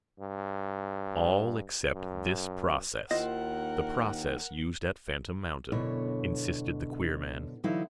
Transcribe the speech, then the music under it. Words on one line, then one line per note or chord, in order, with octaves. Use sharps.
"All except this process--the process used at Phantom Mountain," insisted the queer man.
G2
F#2
D#2 D#3 E4 F4 A#4 C5 D#5 F#5
F#2 B2 D3 E4 C#5
D3 E3 F#3 D#4 E4 F5